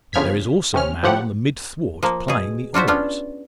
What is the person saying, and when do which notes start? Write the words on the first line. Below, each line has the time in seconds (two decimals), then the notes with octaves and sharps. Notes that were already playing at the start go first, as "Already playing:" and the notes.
But there is also a man on the mid thwart plying the oars.
0.13 G1 C#3 F3 F6 G#6 B6
0.74 C3 C#4 F6
1.03 G1 A2 F3 G4 F#5
2.03 F3 A#3
2.28 B2 G#4
2.74 D4 F4 F#4 C5 E5
2.88 B3 C#4 D4 F4